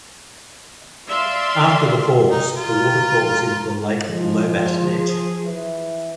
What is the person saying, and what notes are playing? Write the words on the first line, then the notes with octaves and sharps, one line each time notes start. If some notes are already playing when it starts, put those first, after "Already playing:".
After the falls, the water flows into the lake Lovatnet.
D5 E5 F5 C6
D#4 A#5
F4
F3 G#3
G#4
E3